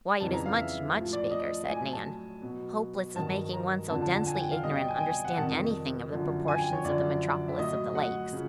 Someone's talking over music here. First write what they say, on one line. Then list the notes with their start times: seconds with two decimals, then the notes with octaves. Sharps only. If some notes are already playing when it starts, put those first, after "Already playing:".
"Why, it is much, much bigger," said Nan, hopeless of making one so densely ignorant understand anything of the proportions of the metropolis of the lakes.
0.20 F2 C#3 E3 G3 A5
0.33 A#5
0.46 F5
0.57 E5
0.95 A2 F3
1.13 D5
1.31 D#5
1.68 A2 F#3 G#5
1.93 A5
2.42 B2 F#3
3.16 G2 D#3 F#3 A5
3.53 A#5
3.89 F2 D3 F3 A5
4.02 A5
4.14 A5
4.26 G#5
4.39 G5
4.51 F5
4.63 B2 G3 D#5
4.76 G5
4.88 G#5
4.96 G5
5.01 G#5
5.25 F#5
5.37 F2 C3 D#3 G3 A5
6.11 F#2 D3 F3
6.48 G#5
6.60 G5
6.73 C#5
6.85 F#2 D3 F3 D5
7.48 E5
7.59 A2 F#3 D#5
7.95 F#5
8.33 C#3 F3